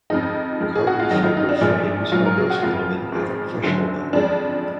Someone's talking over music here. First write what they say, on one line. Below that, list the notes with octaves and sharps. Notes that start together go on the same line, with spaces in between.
Carbon fiber frames are most common at the professional level.
F2 F3 G#3 D#4
F2 F3 G#3
G#4
F#4
F4
F2 D#3 F#3 D#4
F4
D#4
D4
A#1 A#2 F3 G#3
A#1 A#2 F#3 F4
A#4
G#4
F#4
F1 F2 F3 F4
G#1 G#2 F3 G#3
F#1 F#2 D3 F#3
F2 F3 G#3 D4